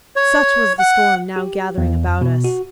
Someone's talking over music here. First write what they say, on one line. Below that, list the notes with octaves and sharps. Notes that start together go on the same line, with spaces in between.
Such was the storm now gathering about us.
C#5
F#5
G4
E2
F2
B2
F#4